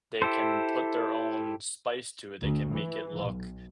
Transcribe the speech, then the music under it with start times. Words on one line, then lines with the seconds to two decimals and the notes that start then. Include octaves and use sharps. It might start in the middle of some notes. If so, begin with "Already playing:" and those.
they can put their own spice to it, they can make it look
0.22 E4 G4 A4 C5
2.43 D2
2.74 E3
3.25 B1